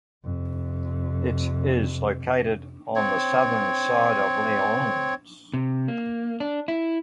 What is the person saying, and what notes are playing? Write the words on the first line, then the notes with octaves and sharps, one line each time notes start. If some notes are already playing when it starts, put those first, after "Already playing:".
It is located on the southern side of Lyons.
F2 C3
C4 C#5
C3
A#3
D4
E4